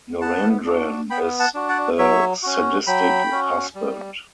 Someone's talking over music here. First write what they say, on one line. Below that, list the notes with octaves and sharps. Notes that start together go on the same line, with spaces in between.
Narendran is a sadistic husband.
B3 F#5 A5
D4 F#4
B3 G5 B5
F#5 A5
D4 F#4
D5 F#5
F#3 C#5 E5
C#4 F#4
F#3 G5 B5
C#4 F#4
G3